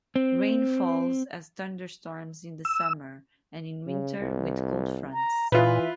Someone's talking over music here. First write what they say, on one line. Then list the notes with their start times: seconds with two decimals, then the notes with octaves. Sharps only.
Rain falls as thunderstorms in the summer, and in winter with cold fronts.
0.16 C4
2.65 E6
3.87 C#3
4.20 C2
5.13 A#5
5.52 A#2 E3 F4 B4 E5